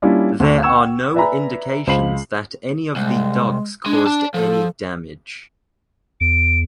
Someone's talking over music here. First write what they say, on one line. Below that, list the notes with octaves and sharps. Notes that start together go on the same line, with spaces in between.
There are no indications that any of the dogs caused any damage.
G3 A#3 C#4 D4 E4 F4
D2 C#6
F#5 G5 C#6 E6 G#6 E7
B4 D5 E5 G#5 A#5 B5
C#2 C5 F5 B5 C7 F#7
C2 G#3
G#3 D4
D5 A5
F3 A4
E2 D7